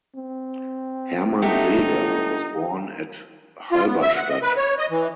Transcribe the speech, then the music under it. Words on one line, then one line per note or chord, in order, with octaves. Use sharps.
Hermann Seeger was born at Halberstadt.
C4
G1 F#3 A3 D#4 G4
F4
B3
E5
F#5
D#5
B4
C#5
D#5
E3